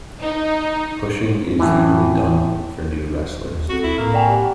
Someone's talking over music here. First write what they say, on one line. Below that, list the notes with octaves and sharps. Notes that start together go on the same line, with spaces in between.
Pushing is usually done for new wrestlers.
D#4
A2 E3
D#2
C#2 C4 F#4 A4
E4
A2 A#3 F6
D5 G5 G#5
G4 F#5 B5